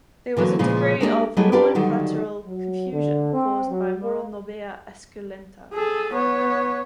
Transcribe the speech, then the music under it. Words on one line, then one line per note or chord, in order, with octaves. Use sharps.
There was a degree of nomenclatural confusion, caused by "Moronobea esculenta".
D3 E3 F#3 A#3
A#2 C#3 F3 G#3
G#3 A#3 D4 E4 G4 D5
F#3 G3 A3 E4 G#4 D#5
D4 F4 G4 A#4 B4 D5
D3 D#3 F#3 G3
F#3
D3
C4
F#3
A#3
G#4 A4
B3 C#5